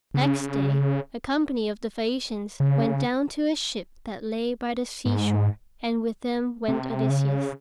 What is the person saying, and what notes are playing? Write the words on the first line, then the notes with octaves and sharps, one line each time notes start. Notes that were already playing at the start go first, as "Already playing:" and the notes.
Next day a company of the Phaeacians went down to a ship that lay by the seashore, and with them went Odysseus.
C#3
C#3
G#2
C3
C#3